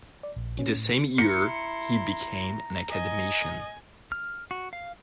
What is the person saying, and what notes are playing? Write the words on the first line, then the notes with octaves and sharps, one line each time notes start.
In the same year he became an Academician.
D5
A#1
C#4
A2
E4 A#5 C6 C#7
D#5 G#5
F6
F#4
F5